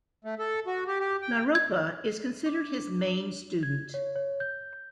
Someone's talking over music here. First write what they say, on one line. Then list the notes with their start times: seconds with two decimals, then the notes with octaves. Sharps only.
Naropa is considered his main student.
0.25 A3
0.39 A4
0.67 F#4
0.87 G4
1.00 G4
1.22 G5
1.55 G#6
2.46 D4
3.63 G#6
3.94 C#5
4.16 C#5
4.40 G6